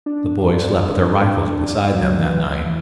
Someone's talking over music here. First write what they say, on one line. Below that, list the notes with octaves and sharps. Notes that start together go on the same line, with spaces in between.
The boys slept with their rifles beside them that night.
D4
F#3
E3
E3